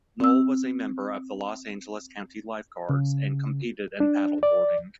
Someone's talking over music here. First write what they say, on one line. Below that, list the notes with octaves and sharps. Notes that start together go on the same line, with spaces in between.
Noll was a member of the Los Angeles County Lifeguards and competed in paddleboarding.
C4 E6
C#3
D4
D5